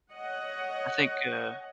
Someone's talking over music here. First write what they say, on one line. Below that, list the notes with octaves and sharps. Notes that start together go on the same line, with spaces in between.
I think, uh
C#5 D#5 F#5